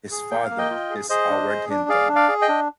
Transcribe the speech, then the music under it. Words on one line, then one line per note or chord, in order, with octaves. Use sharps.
His father is Howard Hinton.
G#4
A#3 G5
F5
A#3
D#5 G5
F4
G#4
G#4 C5 D#5
D4
G#4
D4
G#4 D5 F5
D4
D5 F5
G#4
D#5 G5
D4